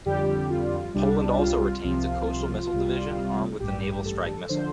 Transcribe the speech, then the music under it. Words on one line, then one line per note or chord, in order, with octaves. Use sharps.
Poland also retains a Coastal Missile Division armed with the Naval Strike Missile.
F2 D3 G3 G4
F4
C2 C3 G3 D4
F4
C2 C3 F3
C2 C3 G3
A1 G2 G3 G4
A4
D3 F3 C5